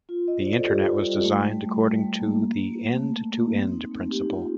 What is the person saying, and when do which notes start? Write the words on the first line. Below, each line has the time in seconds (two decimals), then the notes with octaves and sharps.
The Internet was designed according to the end-to-end principle.
0.09 F4
0.28 D#5
0.41 C5
0.47 D5
0.57 A4
0.66 G4
0.85 F4
1.04 G3
1.24 A3
1.42 G3
1.61 A3
1.81 G3
1.96 G3
2.00 A3
2.14 A3
2.19 A#3
2.96 A3
3.14 A3
3.34 A#3
3.53 C4
3.72 D#4
3.91 A3
4.11 G4
4.21 D#4
4.30 F4